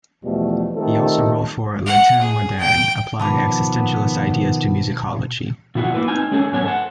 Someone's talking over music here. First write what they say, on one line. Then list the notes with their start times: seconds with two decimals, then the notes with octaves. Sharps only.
He also wrote for "Les Temps modernes", applying existentialist ideas to musicology.
0.24 E2 B2 F3 G3 A3
0.74 D#3 G3 A3 C4 F4 A4
1.86 F#5
2.21 G#4
2.60 G5
3.20 B2 D#3 F3 B3 A5 B5 D6
5.75 B2 F3 E4 F#4 F#5
5.94 A#3 E4 B4
6.08 C4 D#4 G#5
6.31 G#3 C#4 D4 G#4 A4 G#5
6.52 G#2 B2 F#3 B3 C#5 G#5
6.64 A4 C5 F#5